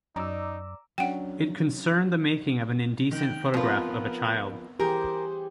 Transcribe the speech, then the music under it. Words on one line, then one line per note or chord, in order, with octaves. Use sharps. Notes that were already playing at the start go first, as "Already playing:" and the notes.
It concerned the making of an indecent photograph of a child.
F#2 D#4 D5 A#5 D6 E6
F#3 C#4 D4 F#5 G5
D#3 G5
F3 B3 C4 F4 A#4 B4
E3 G4 G#4 A#4 C5 G6